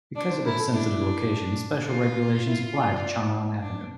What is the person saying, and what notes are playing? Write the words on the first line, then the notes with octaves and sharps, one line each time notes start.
Because of its sensitive location, special regulations apply to Chang'an Avenue.
D4 D5
C5
E4 A#4
A4
D4 E4
F4
E4
D5
D4